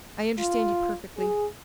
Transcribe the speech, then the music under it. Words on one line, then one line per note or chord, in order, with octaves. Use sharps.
I understand you perfectly.
F4
G#4